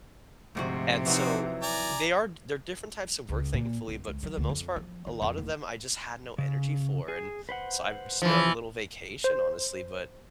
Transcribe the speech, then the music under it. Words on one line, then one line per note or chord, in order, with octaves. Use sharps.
And so they are they're different types of work, thankfully. But for the most part, a lot of them, I just had no energy for. And so I've just been on a little vacation, honestly, but
D2 G#2 C3 F3 F#4
E3 F#3 D#4 F#4
D5 G#5 A#5
C#2
A#2
B1
C#2
F#3
D2
F2
F3
D#3
F2
D1
C#3
G#4
B4 C5 F#5
E3 F3
C5